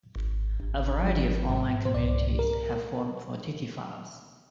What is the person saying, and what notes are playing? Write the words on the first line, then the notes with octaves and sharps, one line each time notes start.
A variety of online communities have formed for tikiphiles.
G#1
G#1
F3
G#2
C5
C2 D5
A#4